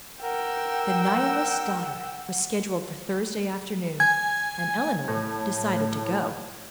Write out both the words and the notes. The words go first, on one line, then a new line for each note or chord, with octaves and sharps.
"The Nihilist's Daughter" was scheduled for Thursday afternoon, and Eleanor decided to go.
A#4 F#5 G5 E6
G#5 G#6
A2